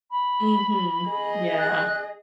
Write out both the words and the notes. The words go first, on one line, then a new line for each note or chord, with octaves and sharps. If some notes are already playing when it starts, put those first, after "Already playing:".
Mhm. Yeah.
B5
G#4 D#5
F#6